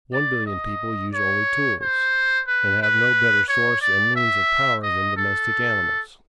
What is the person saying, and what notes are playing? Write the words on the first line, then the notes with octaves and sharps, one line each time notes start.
One billion people use only tools, and have no better source and means of power than domestic animals.
D5
D#5
C#5
C5
B4
B4
C#5
D5
E5
D#5
A4